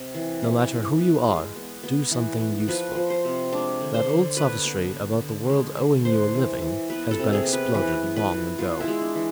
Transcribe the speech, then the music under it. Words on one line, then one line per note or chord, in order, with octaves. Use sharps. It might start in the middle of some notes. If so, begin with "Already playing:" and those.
No matter who you are do something useful. That old sophistry about the world owing you a living has been exploded long ago.
Already playing: C3
E3
E3
E3
B3
G#3
B3
B3
E3
B3
F3 B4
F3
C5
C3
G#3 D4
D3
C5
D3
B3 B4
B3
B3
D3
G#3
D3
B3 C5
E3
E3
B3 B4
A4
C3
G#4
B3
B4
E3 B4
B3
B4
E3
B3 F4
E4
G#3
D4
E3